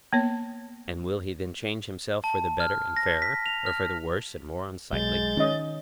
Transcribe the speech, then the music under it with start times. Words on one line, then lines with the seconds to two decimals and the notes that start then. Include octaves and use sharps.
And will he then change himself for the better and fairer, or for the worse and more unsightly?
0.13 A#3 B3 C#5
2.24 A5
2.60 F6
2.97 A#6
3.22 B6
3.46 F7
3.66 F6
4.93 B1 G#3 G6 A6
5.37 D#3 C#4 D#5